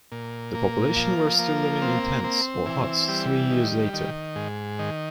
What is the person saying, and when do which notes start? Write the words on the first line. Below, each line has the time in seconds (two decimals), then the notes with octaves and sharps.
The population were still living in tents or huts three years later.
0.12 A#2
0.55 A#3
0.96 F3
1.39 A#3
1.82 C4
2.24 C4
2.66 E3
3.08 G3
3.51 D#3
3.93 D#3
4.36 G#2
4.79 D#3